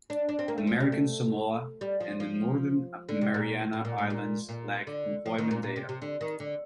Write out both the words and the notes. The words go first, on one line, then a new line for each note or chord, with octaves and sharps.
American Samoa and the Northern Mariana Islands lack employment data.
D4
D4
C4
A#3
A3
F3
G3
A3
G3
F3
F3
D3
C3
A#2
A2
A#2
A2
A#2
A#2
D3
F3
D#3
A#2
A#2
C3
C3
D3
D#3
D3